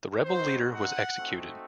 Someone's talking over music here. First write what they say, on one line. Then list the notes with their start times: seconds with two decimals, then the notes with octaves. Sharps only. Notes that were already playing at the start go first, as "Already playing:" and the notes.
The rebel leader was executed.
0.23 C4 D#4 F#4 C5
0.69 F#5
1.15 A3 C4 D#4 F#4